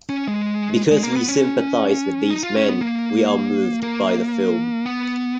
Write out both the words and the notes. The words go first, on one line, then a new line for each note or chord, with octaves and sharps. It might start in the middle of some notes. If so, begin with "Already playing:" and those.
Because we sympathize with these men, we are moved by the film.
C#4
G#3
G#3
A#3
B3
C#4
D#4
F4
C#4
B3
A#3
A#3
B3